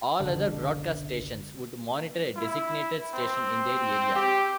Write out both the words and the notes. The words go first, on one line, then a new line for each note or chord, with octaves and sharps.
All other broadcast stations would monitor a designated station in their area.
F#1 B1 D3
E4
C4
G4